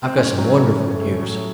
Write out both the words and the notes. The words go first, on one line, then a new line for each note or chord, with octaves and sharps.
"I've got some wonderful news."
C4
A2 C#4
F#3
A2
A3
A2
F#3